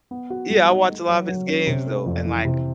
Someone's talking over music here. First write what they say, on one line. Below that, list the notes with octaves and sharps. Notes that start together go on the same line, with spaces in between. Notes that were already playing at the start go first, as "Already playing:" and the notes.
Yeah, I watched a lot of his games though, and, like,
B3
F#4
G3
D#4
A3
F#3
F#3
C#4
C3
A3
F2
E3
C3